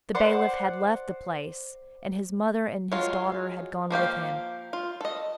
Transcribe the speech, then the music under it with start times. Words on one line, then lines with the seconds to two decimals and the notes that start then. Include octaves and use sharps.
The bailiff had left the place; and his mother and his daughter had gone with him.
0.15 C5 D5 F#5 C6
2.92 F#3 G#3 F4
3.90 F3 A#3 G4 F5
4.73 F4
5.01 A4 D#5